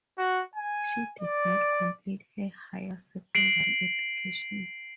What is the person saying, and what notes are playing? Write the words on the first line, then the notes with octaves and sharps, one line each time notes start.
She did not complete her higher secondary education.
F#4
G#5
D5
C7 D7 F#7